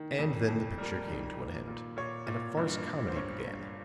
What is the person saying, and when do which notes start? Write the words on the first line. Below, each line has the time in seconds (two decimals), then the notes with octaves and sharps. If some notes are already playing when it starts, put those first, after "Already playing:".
And then the picture came to an end, and a farce-comedy began.
Already playing: D#3
0.19 F2
0.48 F2
0.78 G3 A#4
1.07 D#3
1.38 A#2
1.67 A#2
1.97 A#2 C#5
2.26 A#2
2.57 G2
2.87 G2
3.08 C5
3.16 G2 C#5
3.47 G2